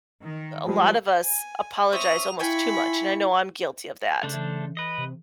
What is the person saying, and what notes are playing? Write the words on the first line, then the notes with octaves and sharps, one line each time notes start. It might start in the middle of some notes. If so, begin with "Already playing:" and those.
a lot of us apologize almost too much, and I know I'm guilty of that.
D#3
F3 G3 G#3
G#5
C4 C#4 E5 D#6 F7
E4 F4 G5 G#5 B5 C#6
C#3 A3 D4 A4 C5
E3
B4 D#5
C3